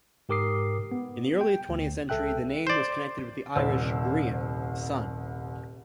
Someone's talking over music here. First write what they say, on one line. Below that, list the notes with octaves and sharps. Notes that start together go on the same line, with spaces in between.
In the early twentieth century, the name was connected with the Irish "grian", 'sun'.
G#2 G4 A#4 D6 D#6 C7
B3
G5
D2
C#2 A4 E5 G5 F#6
C5 D5
D#1 C2 C5 E6